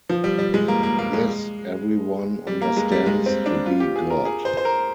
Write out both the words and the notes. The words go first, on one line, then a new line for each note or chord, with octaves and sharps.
This everyone understands to be God.
F3
G3
G3
G#3
A#3
A#3
A#3
G#3
G3
A#3
G#3
G3
G#3
C4
D4
F4
G4
G#4
A#4
G#4
C5
C5
A#4